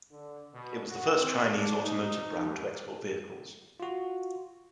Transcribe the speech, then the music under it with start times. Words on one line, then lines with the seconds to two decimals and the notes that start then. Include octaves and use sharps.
It was the first Chinese automotive brand to export vehicles.
0.11 D3
0.54 B2
0.87 F#4
1.18 C4
1.49 D4
1.84 D#4
2.40 D#2
3.80 F4 F#4